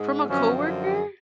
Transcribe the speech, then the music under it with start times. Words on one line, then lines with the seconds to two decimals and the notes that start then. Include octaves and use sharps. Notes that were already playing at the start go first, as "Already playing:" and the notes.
From a coworker?
Already playing: G#2 G#3
0.28 F#2 D3 F3 C#4